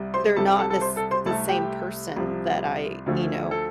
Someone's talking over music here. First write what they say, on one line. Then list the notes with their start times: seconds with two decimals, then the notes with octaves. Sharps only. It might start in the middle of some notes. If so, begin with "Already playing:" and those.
They're not the s the same person that I, you know
Already playing: C2 C3 G3
0.14 C5 C6
0.36 C2 C3 G3 A4 A5
0.47 G4 G5
0.59 A4 A5
0.70 A4 A5
0.81 C5 C6
0.96 A4 A5
1.11 C5 C6
1.26 C2 C3 A3 A4 A5
1.49 G4 G5
2.16 C2 C3 F3
3.06 D2 D3 F3 A3
3.51 A4